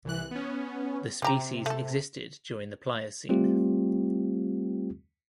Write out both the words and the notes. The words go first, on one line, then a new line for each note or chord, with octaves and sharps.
The species existed during the Pliocene.
C2 E3 F#6
B3 C#4
C3 C4 G4 A#5
A3 A4
G3 A3 C4 F4 G4